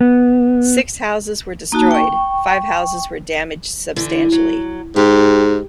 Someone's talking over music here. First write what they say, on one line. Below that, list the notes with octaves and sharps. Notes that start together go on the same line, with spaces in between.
Six houses were destroyed; five houses were damaged substantially.
B3
A#3 D#4 F#4 A5
G5 C#6
D3 E3
F#3
G#2 G4